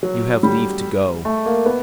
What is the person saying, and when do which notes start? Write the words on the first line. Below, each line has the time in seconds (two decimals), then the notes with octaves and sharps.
You have leave to go....
0.03 F#3
0.43 G3
1.25 A3
1.46 A#3
1.66 B3